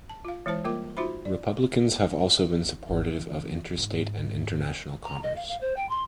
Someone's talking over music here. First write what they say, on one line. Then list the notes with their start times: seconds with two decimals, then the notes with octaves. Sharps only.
Republicans have also been supportive of interstate and international commerce.
0.09 A5
0.25 F4 F5
0.46 E3 G#3 E4 C5 A5
0.64 G3 A#3 F4 A#4 D6
0.97 D#4 F4 F#4 C5 E5 B5
1.25 D5
2.65 E2
2.89 G#1
3.04 E3
3.77 G#2
5.04 A#5
5.22 D#5
5.36 F5
5.48 F5
5.60 C5
5.76 G5
5.89 C6